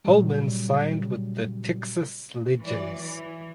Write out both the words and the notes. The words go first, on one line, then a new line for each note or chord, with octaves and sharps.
Holman signed with the Texas Legends.
A#2 C#3 F#3 G3
E3 F#3 D5
E3